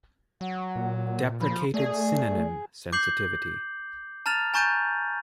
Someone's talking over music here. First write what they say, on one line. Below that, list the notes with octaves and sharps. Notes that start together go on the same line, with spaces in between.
"Deprecated synonym" sensitivity.
F#3 F#5
A#2
F3 B5
A3 G#4 D5
D6 G6 C7 F#7
A5 A#5 F6 A6 F7
G#5 A#5 C#6 G6 A6 D#7